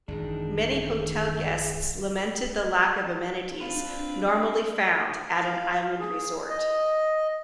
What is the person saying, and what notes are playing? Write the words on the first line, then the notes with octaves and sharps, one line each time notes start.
Many hotel guests lamented the lack of amenities normally found at an island resort.
G#1 F#2 D#3 E3 D4 G#4
C4 D4 F4 B4
F5
G#4
D#5